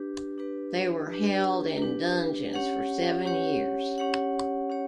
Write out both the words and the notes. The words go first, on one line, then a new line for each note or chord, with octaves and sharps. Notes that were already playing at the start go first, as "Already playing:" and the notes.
They were held in dungeons for seven years.
Already playing: D4 G4 B4
D4 G4 B4
D4 G4 B4
D4 G4 B4
C#4 G4 C#5 F#5
C#4 G4 C#5 F#5
C#4 G4 C#5 F#5
C#4 G4 C#5